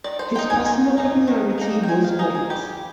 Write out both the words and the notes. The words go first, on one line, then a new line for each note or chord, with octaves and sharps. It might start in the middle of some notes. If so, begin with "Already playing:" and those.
His personal popularity was great.
D#3 D5
C5
A#3 D#4 G5
G#5
D#3 G#5
A#3 D#4
D#3
A#3 D#4
G5
D#3 G#5
F5
A#3 D#4 G#4
G#4
G3 G4